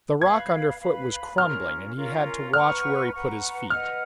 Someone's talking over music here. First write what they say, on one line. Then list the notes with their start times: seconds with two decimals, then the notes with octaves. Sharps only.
The rock underfoot was crumbling and he had to watch where he put his feet.
0.21 B4 F5 B5 G#6
0.80 B4 F5 B5
1.37 C#4 F4 A#4 F6
1.96 C#4 F4 A#4
2.53 B4 F#5 A#5 C#6 F6
3.12 B4 F#5 A#5 C#6
3.70 B4 D#5 F#5 F6